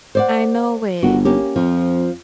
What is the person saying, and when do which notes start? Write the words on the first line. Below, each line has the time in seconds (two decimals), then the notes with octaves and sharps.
I know it.
0.15 C5 D5 F#5
1.03 G1 F#4
1.25 A#3 C#4 G4
1.56 F2 F3